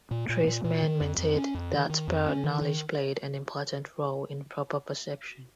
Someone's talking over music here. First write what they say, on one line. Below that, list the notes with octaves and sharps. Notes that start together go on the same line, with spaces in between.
Treisman maintained that prior-knowledge played an important role in proper perception.
A#2
A#2
A#2
A#2
D#3
F2
F2
C#4
F2
D#3
D#3
F2
C#4
D#3
D#3